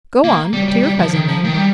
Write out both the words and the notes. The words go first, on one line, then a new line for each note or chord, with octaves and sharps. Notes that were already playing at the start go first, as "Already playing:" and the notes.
"Go on, to your cousin, then!"
A#3
G3
G3
G3
F3
D#3
F3
D#3
G3